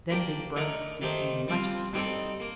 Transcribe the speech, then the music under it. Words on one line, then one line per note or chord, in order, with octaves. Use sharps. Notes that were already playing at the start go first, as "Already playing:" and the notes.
Then Big Brother became much excited.
A#3 D4 G4 D5
A3 D#4 A#4 D5
D#3 A3 D#4 G4 C5
G3 C4 F4
G3 C4 D#4 A4 D5
A#3